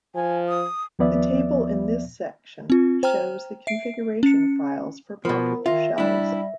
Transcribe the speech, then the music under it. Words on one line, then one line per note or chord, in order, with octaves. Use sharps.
The table in this section shows the configuration files for popular shells.
F3 G#5
D#6
D#2 F3 B3 D5 E5
C4 F4
C5 G5 A#5 F6
E5 C7 D7
C#4 C#7
B2 F3 B3 A#4
D#3 F4 E5 A#6
G3 D4 E4